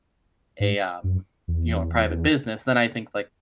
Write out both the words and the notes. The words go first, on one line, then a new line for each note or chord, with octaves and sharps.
a, um, you know, a private business, then I think, like,
G#2
F#2
E2